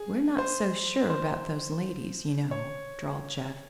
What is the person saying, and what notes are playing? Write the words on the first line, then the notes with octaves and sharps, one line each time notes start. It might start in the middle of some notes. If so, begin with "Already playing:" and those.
"We're not so sure about those ladies, you know," drawled Jeff.
Already playing: G#4
C5
C5
C#5